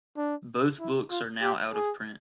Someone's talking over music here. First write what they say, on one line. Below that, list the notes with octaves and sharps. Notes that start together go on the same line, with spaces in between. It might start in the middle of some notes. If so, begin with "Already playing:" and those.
Both books are now out of print.
D4
E4
F4
G4
G#4